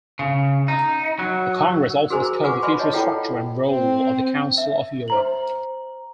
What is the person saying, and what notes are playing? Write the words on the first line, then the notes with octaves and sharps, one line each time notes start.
The Congress also discussed the future structure and role of the Council of Europe.
C#3
D#4
F#3
F#4 G#4 A#4 C5 G#5 A#5
F4 B4 F#5 G#5 C#6 D6
B4 D5 G#5 B5 C6
C#5 D#5 A5
E4 F4 A4 F#5 G5 A#5
C4
E5
C5 A#5 F#7